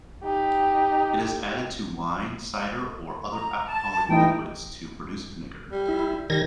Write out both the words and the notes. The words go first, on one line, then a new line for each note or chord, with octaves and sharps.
It is added to wine, cider, or other alcoholic liquids to produce vinegar.
D#4 G4
A#5
A5
E3 A3 D#4 E4 G5
G3
E4
D#3 G3 G#6 A#6